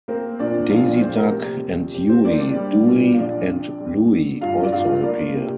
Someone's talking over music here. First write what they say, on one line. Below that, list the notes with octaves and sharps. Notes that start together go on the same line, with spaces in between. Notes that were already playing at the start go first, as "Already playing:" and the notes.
Daisy Duck and Huey, Dewey, and Louie also appear.
A#3 C4 C5
A#2 D4 D5
A#1 F4 F5
D4 D5
A#1 C4 C5
A#3 A#4
C3 G4
F2
F1 G4
C4 C5
A#3 D4 D5
D4 D5
G3
A#2
F5
A#1 D4 D5
C4
G3
D3
G2 F4 F5
D5
G2 F4 F5
A#3 D4 D5
C3 G4